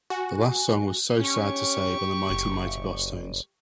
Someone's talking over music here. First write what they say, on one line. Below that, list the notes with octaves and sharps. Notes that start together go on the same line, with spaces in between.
The last song was "So Sad to Say" by The Mighty Mighty Bosstones.
F#4 G#5
C#4 G4 C#6
F#1